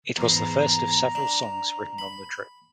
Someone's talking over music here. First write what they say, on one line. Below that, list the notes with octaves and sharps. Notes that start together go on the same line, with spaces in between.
It was the first of several songs written on the trip.
E2 G#2 A#5
D4
B5